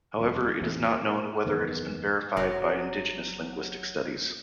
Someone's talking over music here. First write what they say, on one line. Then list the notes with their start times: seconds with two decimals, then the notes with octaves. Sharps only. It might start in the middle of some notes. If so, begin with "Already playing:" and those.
However, it is not known whether it has been verified by Indigenous linguistic studies.
0.18 D#1 F2
0.61 A1 E2 A2 C3
0.89 A#2
1.45 F#1 E2 D#3 B3
2.37 F#1 F#3